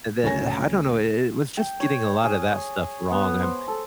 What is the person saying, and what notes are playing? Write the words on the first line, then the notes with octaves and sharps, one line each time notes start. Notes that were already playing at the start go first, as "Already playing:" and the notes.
and then uh, I don't know, it it was just getting a lot of that stuff wrong, um,
D2 C#3 C#5 G#5 A#6
G5
C#5
G#4
C#5
B3
C5
A4